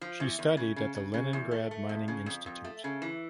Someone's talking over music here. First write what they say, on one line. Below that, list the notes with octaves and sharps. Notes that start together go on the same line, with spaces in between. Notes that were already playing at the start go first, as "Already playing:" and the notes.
She studied at the Leningrad Mining Institute.
F3
E2
E2
C#3
C#3
C#3
C#3
E2
A3
A3
F2
C#3
F2
F2
A3
C#3
E3